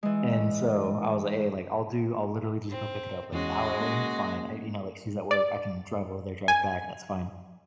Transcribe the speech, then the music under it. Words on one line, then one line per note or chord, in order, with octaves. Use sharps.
and so, I was like, "Hey, like, I'll do I'll literally just go pick it up, like, hour away? Fine." I you know, like, she's at work. I can drive over there, drive back, that's fine.
E3 G#3
C4
E2 G#3 C#4 F#4
A#3 C#4
D5
G#5